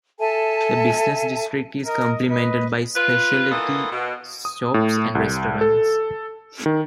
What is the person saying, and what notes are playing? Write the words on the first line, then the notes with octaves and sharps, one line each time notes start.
The business district is complemented by specialty shops and restaurants.
A4 E5 G#5 A5
A#4 D#5
B4 D#5
F4 B4
E3 A#3 B3 F4 A4 D#5
B2
D#6
A2
C2
A4
D#3